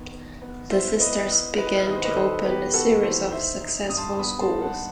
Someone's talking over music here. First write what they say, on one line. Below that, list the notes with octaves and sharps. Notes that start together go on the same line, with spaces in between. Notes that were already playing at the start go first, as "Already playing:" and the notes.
The Sisters began to open a series of successful schools.
Already playing: D#3 B3 D#4
B3
B3
E4 C5 E5
B3 B4 D#5
E4
E4 B4 D#5
D#3 D#5
C5
B4 D#5
D#3 A4 C5
B3 G4 B4
B3 F#4 A4
E3 A4 C5
D#4 C5 E5
D#4
G2 D#6
A5 C6
B3 B5 D#6
A5 C6
D#4
F#5 A5